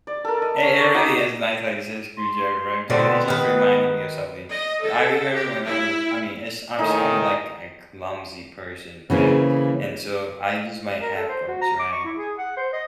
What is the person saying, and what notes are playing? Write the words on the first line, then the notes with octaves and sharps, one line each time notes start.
Hey, it really is nice how you say screwdriver, right, because it just reminded me of something. I remember when I was I mean, it's I'm s I'm a like, a clumsy person, right? And so I use my headphones, right?
D5
A4 A#4
D#5
C#4
C#6 D6
D#4 F#4 A#5 D6
C6
B2 D3 B3 C4
D#3 B4
D#5
A4
G4
E4
A2 D#3 D#4 G#4
C#3 E3 A#3 C4
A#4
A4
C5
F#4
A#5
D6
C#6
E4
G#4
F#5
C5
D#5